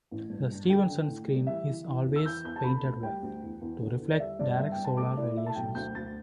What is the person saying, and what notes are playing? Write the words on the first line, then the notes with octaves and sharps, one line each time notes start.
The Stevenson Screen is always painted white, to reflect direct solar radiations.
A1
G2
G2
D3 G5
D3
A2
G3
E3 E5
E3
E3
E2
E6
E3 G6
E2 G6
A5
D3 B5
D2
G3 G5
D2
E2
E2
D3
E2
D5
G3 E5
G2 D5
G2 E5
G5
G2
A5
A3 D6
E4 D5
A3 E5
A5
B1 G5
D2 G6
D2 A6